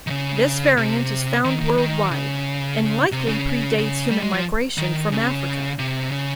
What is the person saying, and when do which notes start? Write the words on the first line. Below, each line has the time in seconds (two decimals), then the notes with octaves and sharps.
This variant is found worldwide, and likely predates human migration from Africa.
0.07 D#3
0.10 C#3
0.77 C3
1.45 D#3
1.61 D#3
1.78 D#3
2.11 C#3
3.12 C3
3.28 C#3
3.78 C#3
4.11 G3
4.23 G#3
4.33 F3
4.78 D#3
5.12 C#3
5.79 C3
6.12 C#3